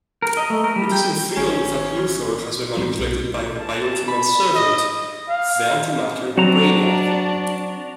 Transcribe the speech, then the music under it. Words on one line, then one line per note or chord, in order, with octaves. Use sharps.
It is revealed that Luthor has been manipulated by Ultraman's servant, the antimatter Brainiac.
A#4
D#5
A3
A#4
G3
G5
G#1 C#4
G#2 C4
B1
E4
A5
B5
D#5
F5
F#3 C4 D4 F#4 A#5